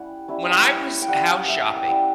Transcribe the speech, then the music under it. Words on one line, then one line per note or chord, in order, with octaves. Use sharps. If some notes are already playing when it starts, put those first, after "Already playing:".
when I was house shopping
Already playing: G3 C#4 E4 F#5
G3 C#4 E4
G5
G3 C#4 E4 F#5
E5
G5
G3 C#4 E4 F#5